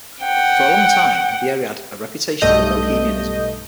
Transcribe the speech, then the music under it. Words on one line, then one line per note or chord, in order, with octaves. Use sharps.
For a long time the area had a reputation for bohemianism.
F#5 G5
B1 G2 A3 D#5 G6